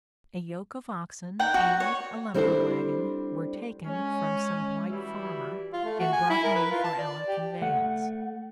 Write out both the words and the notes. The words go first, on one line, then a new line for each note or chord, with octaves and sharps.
A yoke of oxen and a lumber-wagon were taken from some white farmer and brought home for our conveyance.
D#4 F#5 G5
F#4
C#5
G3 C4 D4 E4 A4 C5
G#3 C#4
E3 G3 E4 F#4
F4
A3
F#4
G#5
E4
A#4
B4
F4
A5
D5
G4
A3 F#5